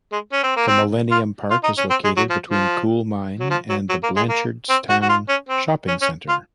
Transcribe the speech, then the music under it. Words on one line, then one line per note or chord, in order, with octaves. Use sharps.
The Millenium Park is located in between Coolmine and the Blanchardstown Shopping Centre.
G#3
C#4
C4
A#3
C4
F4
F4
D#4
C#4
C4
G#3
F#3
F3
F3
F#3
F3
F#3
F#3
A#3
G#3
A#3
C4
F#4
F#4
F4
C#4
C4
C#4
C#4
F4